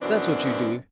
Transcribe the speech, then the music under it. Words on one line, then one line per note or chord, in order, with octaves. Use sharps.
'That's what you do.
F#2 B2 E3 B3 C4 D4